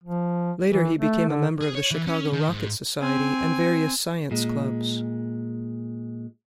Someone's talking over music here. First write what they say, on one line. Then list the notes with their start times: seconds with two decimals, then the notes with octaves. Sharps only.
Later he became a member of the Chicago Rocket Society and various science clubs.
0.04 F3
0.71 E3
0.99 A3
1.29 D3
1.61 G#4
1.75 C#5
1.91 E3
2.07 C#4
2.32 D#3
2.49 G#2
3.01 C4 G#5
4.31 A#2 G#3